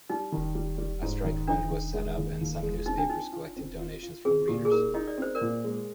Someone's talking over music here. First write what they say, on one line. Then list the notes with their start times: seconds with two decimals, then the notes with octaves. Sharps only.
A strike fund was set up and some newspapers collected donations from readers.
0.10 G3 D#4
0.32 D#3
0.55 G3
0.78 G3
1.02 G#2
1.25 D#3
1.48 D4 D#4
1.71 D#3
1.93 G#3
2.18 D#2
2.41 D#2
2.63 G#3
2.86 C4 D#4
2.98 D4
3.10 D#4 F4
3.32 F4
3.56 C4
3.79 F4
4.02 F4
4.25 C4 G#4
4.48 A#2 G4
4.65 G#4
4.71 D#4 A#4
4.94 D#4 D#5
5.08 D5
5.18 C4 C5
5.35 A#4 D5
5.41 A#2
5.64 G#3